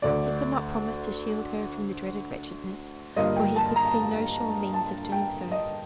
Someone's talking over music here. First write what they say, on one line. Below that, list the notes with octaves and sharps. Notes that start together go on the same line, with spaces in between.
He could not promise to shield her from the dreaded wretchedness, for he could see no sure means of doing so.
D2 D3 A3 D5
G2 D3 G3 A#3 F4 D#5
G5
A5
A#5
A5
G5
D#5